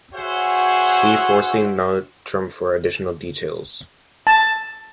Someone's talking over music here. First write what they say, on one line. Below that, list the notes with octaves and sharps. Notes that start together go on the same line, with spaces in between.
See Forcing notrump for additional details.
F#4 G#4 C5 C#5 E5 F#5
A5